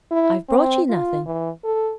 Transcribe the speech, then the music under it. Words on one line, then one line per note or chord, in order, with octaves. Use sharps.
'I've brought you nothing.
E4
C4
F4
E3
A4